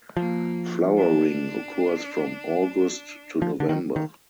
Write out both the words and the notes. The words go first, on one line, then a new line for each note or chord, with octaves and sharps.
Flowering occurs from August to November.
F3 A#3
D4
F3
D3
D#3
D#3